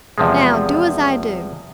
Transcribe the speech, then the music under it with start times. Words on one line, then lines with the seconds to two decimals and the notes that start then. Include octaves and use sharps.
Now, do as I do.
0.18 E2 C3 F3 G#3